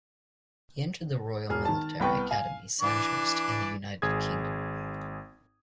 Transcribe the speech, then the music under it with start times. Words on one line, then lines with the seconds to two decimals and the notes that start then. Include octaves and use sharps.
He entered the Royal Military Academy Sandhurst in the United Kingdom.
1.49 E1 G#4 F6
1.65 D#3 A5
2.00 C2 B3 B4 G5 C#6
2.31 F5 G#5
2.81 E3 D4 D5
4.02 G#1 G#4 D#6 G#6